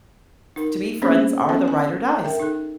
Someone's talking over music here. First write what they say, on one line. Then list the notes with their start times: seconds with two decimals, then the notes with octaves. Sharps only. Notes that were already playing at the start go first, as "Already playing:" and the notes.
to me, friends are the ride or dies.
0.56 D#4 A#4
1.02 A#3 B3 C#4 D4 G#4 C5
1.49 B3 C#4 A4 A5
1.68 G#5
2.25 A#4 E5 G5
2.40 D#4 A4